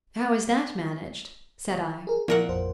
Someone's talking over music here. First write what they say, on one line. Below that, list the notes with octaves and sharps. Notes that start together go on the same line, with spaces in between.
"How is that managed?" said I.
G#4 A#4
A#2 F3 B3 E4 A#4 F#5
A1 F2 C5